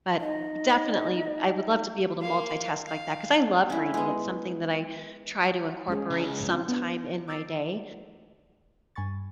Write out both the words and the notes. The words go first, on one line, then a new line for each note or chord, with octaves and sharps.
But, definitely, I would love to be able to multitask like that 'cause I love reading, it's something that I try to incorporate sometime in my day,
D#4 D#5
A#3 F5
F5
C#4 E4
G#3 B3
G#3 C#4 G#4
C#2
C4 F4
B3 D4
D6 E6 A6 C7 D7
G2 G#5 B5 C#6 A6